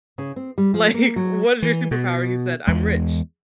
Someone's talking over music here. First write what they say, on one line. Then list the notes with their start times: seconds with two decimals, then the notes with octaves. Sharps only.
like, "What is your superpower?" he said, "I'm rich."
0.18 C#3
0.36 C4
0.58 G3
0.74 F3
0.94 A#3
1.16 F#3
1.62 E3
1.91 B2
2.67 E2 G#3